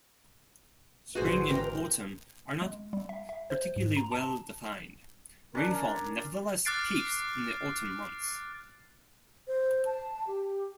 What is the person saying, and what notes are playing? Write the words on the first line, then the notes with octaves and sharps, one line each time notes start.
Spring and autumn are not particularly well-defined; rainfall nevertheless peaks in the autumn months.
G#1 D3 E3 F#4 G#4 B4 C5
A#4 G5
G#3
G3
E5
E5
C5
G#2
A#5
A5
C#4 D4 A#4
D6 F6 F#6 A6 C7 D7
C5
A5
G4